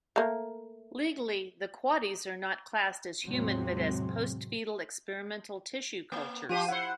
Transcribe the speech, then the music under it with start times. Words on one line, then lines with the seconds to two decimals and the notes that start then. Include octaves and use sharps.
Legally, the Quaddies are not classed as human but as "post-fetal experimental tissue cultures".
0.16 A3 A#3
3.26 E2 A2 C3 F#3 G#3 C4
6.12 A#3
6.49 F3 F4 G4 C5 D#7
6.68 E4 C5 F#5